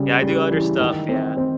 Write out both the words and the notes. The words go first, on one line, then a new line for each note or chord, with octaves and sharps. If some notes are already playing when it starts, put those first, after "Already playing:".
Yeah, I do other stuff, yeah.
Already playing: C#3 G3
G3
E3
D#3
C4
C4